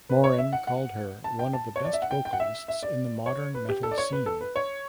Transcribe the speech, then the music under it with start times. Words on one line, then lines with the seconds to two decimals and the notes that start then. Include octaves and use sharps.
Morin called her "one of the best vocalists in the modern metal scene".
0.09 B4
0.24 C#5
0.38 E5
0.53 F#5
0.67 F#5
1.24 A5
1.39 G5
1.54 A5
1.76 C#5
1.85 D5
1.93 E5
2.02 F#5
2.11 G5
2.25 G5
2.33 F#5
2.40 E5
2.68 E5
2.83 D5
3.26 C#5
3.55 B4
3.69 G4
3.83 A4
3.91 D5
3.98 C#5
4.12 B4
4.26 A4
4.41 B4
4.56 C#5